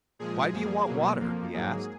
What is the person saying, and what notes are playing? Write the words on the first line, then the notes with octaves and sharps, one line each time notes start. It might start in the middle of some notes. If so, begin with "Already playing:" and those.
"Why do you want water?" he asked.
A#2 F3 G#3 G#4
F#2 F3 A#3
B2 F#3 A#3
F2 F3 A#3
G#2 F#3 A#3 G#4